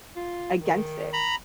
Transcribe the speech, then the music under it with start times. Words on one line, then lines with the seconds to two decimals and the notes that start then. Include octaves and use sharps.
against it.
0.16 F4
0.61 D#3
1.13 A#5 B5